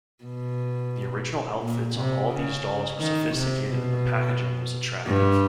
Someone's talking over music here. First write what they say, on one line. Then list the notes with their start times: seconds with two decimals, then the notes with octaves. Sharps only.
The original outfits on all these dolls were sophisticated and the packaging was attractive.
0.24 B2
1.62 A#2
1.96 C3
2.31 C#3
2.99 D#3
3.34 C3
3.68 B2
5.06 G2